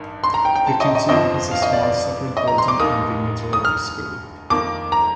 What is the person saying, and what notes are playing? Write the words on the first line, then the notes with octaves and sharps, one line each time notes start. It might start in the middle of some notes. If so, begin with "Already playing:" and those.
The canteen is a small, separate building in the middle of the school.
Already playing: A1 G2 D#3
C6
A#5
G5
G5
A5
D#5
D#5
G1 F2 C3 F3 C4 D#5
F5
D#5
D5
D5
D#5
A#5
C6
D6
F1 D#2 D#3 A#3 D#4 D#6
D#6
F6
F2 D#3 A#3 D6
A#5